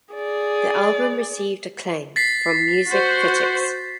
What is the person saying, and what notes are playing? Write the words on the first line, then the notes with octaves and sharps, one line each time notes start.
The album received acclaim from music critics.
G#4 D5
A6 B6 C7
F#4 C5